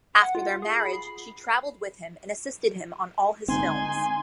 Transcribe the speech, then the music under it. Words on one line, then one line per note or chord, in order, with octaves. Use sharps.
After their marriage she traveled with him and assisted him on all his films.
F#5
F4
G#4
B5
C7
D3 G#3 C4 D#4 G#5 C6